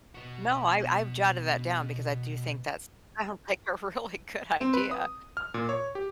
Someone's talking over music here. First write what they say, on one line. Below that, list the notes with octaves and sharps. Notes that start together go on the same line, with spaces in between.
No. I I've jotted that down because I do think that sounds like a really good idea.
B2 F#4
C4
B4
D#6
F6
A#2
C#5
G4